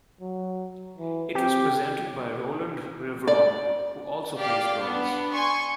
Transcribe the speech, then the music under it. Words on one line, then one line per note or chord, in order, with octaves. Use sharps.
It was presented by Rowland Rivron, who also plays drums.
F#3
E3
C4 G4
D5
G4 D5 F5
B3 D4
G#5 C6 C#6